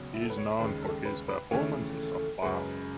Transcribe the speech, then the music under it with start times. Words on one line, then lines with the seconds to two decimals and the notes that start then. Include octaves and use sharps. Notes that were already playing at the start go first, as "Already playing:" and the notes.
He is known for his performances of Bach.
Already playing: C#2 B2 F#3
0.14 E4
0.22 A4
0.30 B4
0.37 C#5
0.59 D#2 C#3 G#3 B4
0.82 A4
1.05 B4
1.28 B4
1.51 D#2 C#3 E3 A3 C#5
2.42 F#2 C#3 G#3 B4